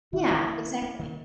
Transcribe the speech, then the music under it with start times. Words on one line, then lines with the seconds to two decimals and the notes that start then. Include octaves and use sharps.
yeah, exactly.
0.13 D#3 E4
0.30 D#3
0.47 A#3
0.65 C#4
0.82 A#3
0.99 D#3